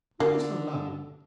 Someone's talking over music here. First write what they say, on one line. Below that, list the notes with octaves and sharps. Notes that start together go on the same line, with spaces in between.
Let us alone.'
D3 A#3